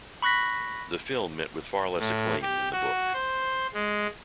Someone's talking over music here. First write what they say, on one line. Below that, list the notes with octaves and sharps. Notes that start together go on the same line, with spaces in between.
The film met with far less acclaim than the book.
B5 C#6 F#6 A#6 B6
A2
G4
F#4
C5
G#3